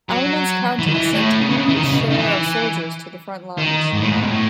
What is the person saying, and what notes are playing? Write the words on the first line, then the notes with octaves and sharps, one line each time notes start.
Alamance County sent its share of soldiers to the front lines.
F#3
E3
D#3
E3
A2
C#3
B2
C#3
E3
D#3
C#3
B2
C#3
D#3
E3
D#3
G#2
A2
G#2
B2
A2